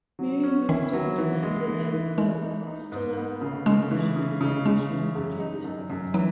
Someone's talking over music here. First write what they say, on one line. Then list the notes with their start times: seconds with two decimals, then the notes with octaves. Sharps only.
Merriam-Webster defines it as "the apostolic proclamation of salvation through Jesus Christ".
0.19 F#3
0.43 C#4
0.68 D#3 E4
0.93 F#3
1.18 E3
1.43 G#3
1.68 E3
1.92 E3
2.18 E3 G#3
2.42 D#4
2.67 D#4
2.92 G#2
3.17 B3
3.41 C#3
3.66 C#3 G#3
3.91 E3
4.16 C#3
4.41 C#3
4.66 C#3 G#3
4.90 E3
5.15 F#2
5.40 D#4
5.64 F#2
5.90 F#2
6.14 E3 F#3